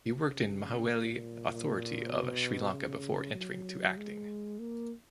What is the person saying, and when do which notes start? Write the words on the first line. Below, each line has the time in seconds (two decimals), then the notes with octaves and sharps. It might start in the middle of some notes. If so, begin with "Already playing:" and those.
He worked in Mahaweli Authority of Sri Lanka before entering to acting.
0.24 C#3
0.87 A#2
1.49 A#2
2.10 B2
2.73 C#3
3.35 F#3
3.97 G#3
4.59 A#3